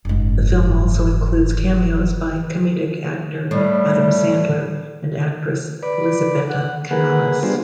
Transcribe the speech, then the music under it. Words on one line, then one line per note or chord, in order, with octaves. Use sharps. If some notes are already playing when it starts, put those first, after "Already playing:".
The film also includes cameos by comedic actor Adam Sandler and actress Elisabetta Canalis.
F#1 G#2
A2 G3
B4 D5
F#5
A#3 G#4 B4 F#5
G3 B3 D4 F4 G#4 C5